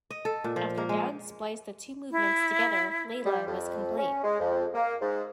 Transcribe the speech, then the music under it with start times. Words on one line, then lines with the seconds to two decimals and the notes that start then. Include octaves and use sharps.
After Dowd spliced the two movements together, "Layla" was complete.
0.10 D#5
0.25 A4
0.44 A#2
0.56 F3
0.77 A#3
0.89 G#3
2.11 E4
3.26 G3
3.47 F2
3.98 C#4
4.24 G#3
4.40 F2
4.74 A#3
5.01 G#2